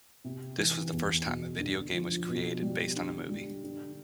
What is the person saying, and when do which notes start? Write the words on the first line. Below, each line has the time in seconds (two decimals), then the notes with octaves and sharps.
This was the first time a video game was created based on a movie.
0.24 C3
0.58 E3
0.92 E2
1.26 B2
1.60 D3
1.94 F3
2.28 B2
2.62 G3
2.96 D3
3.30 G3
3.64 D3